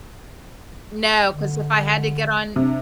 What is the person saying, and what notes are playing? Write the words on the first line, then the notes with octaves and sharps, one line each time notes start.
No, 'cause if I had to get on
D3
C3 D4